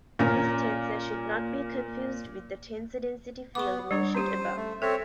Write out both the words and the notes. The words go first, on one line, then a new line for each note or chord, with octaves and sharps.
This tensor should not be confused with the tensor density field mentioned above.
A#2 C#4 A#4
B3 C#6 D6
G3 D4 C#5
C#4 G4 C5
A3
C4 A4 C#5 E5